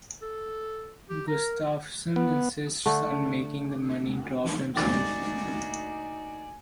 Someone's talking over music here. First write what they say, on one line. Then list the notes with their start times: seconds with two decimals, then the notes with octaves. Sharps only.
Gustafson insists on making the money drop himself.
0.22 A4
1.10 G4
1.28 A#4 A#5
2.16 B3
2.86 D3 A3
4.77 D2 A#2 D#4 F#4 D5 G#5